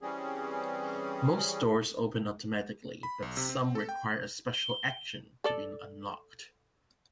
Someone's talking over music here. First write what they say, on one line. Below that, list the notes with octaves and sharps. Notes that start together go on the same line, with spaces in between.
Most doors open automatically, but some require a special action to be unlocked.
E3 G3 C4 C#4 G#4
B5
B1
C3
C4
A4
G5
G7
A4 D5